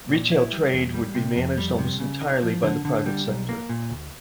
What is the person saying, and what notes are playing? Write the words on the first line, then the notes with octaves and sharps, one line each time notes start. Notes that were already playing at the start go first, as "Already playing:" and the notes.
Retail trade would be managed almost entirely by the private sector.
A#2
E4
G3
E2
G3
C3
F2
G3
C3
C#3
D#4
F3
D3
D3
G3
B1
A#3
A#2
D2